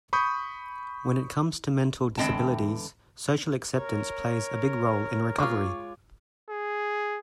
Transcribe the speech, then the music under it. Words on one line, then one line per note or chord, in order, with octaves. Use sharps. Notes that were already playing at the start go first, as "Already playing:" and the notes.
When it comes to mental disabilities, social acceptance plays a big role in recovery.
B5 C#6 D#6 G6
E2 D3 G#3 C4 G5 A5
A#4 C#5
G#3 F4 C#6 D6
G#4